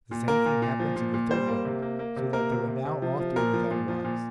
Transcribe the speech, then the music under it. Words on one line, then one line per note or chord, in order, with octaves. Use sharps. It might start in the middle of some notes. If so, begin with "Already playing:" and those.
The same thing happened to the third rogue, so that they were now all three without wives.
A#2
A#3 A#4
A#2
A#2
F3
A#2
A#2
G3 C5
A#3
C3
A#3
A#3
C3
A#3 A#4
C3
C3
C3
F3
F3
A#2 A#4
F3
A#2
F3
A#2